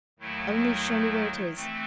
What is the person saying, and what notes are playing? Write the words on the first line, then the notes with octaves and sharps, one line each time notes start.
'Only show me where it is.
D#2 D#3 F#3 A3 E4
E3 A3 C4